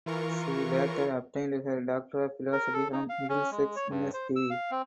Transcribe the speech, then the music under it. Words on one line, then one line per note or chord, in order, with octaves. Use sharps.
She later obtained her Doctor of Philosophy from Middlesex University.
E3 F4 A#4 C#6
A#4
A4
D#4
F5
C#4
G#3
C#5
G2
C5
E6
F5
C4